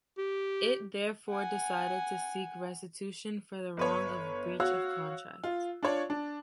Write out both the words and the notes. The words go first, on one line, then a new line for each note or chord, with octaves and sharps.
It therefore decided to seek restitution for the wrong of breach of contract.
G4
F#5 G#5
G1 B4 C#5
F#4 C#5 F5 E6 F#6
F4
D4 F4 C#5 D5
D4